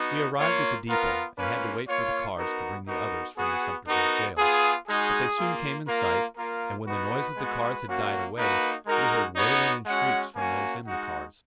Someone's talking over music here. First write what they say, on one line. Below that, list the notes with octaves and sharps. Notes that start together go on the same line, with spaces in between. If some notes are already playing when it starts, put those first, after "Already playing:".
We arrived at the depot and had to wait for the cars to bring the others from the Sumterville jail, but they soon came in sight, and when the noise of the cars had died away, we heard wailing and shrieks from those in the cars.
Already playing: B3 D#4 F#4
A#3 F4 C#5
B3 F4 A#4
A#3 C#4 F4 B4
A#3 F4 C#5
B3 D#4 F#4 A#4
B3 D#4 F#4 A#4
B3 F#4 G#4
B3 D#4 F#4 A#4
B3 F4 G#4
G#3 D#4 F#4 G#4
A#3 F4
A#3 F4 A#4
A#3 F4 A#4
B3 D#4 F#4 B4
G#3 B3 F#4
A#3 C#4 F#4
A#3 D#4 F#4 B4
G#3 D#4 F#4 A#4
B3 D#4 F#4 C#5
G#3 C#4 F#4 F#5
A#3 C#4 F#4 G#5
G#3 D#4 F#4 F#5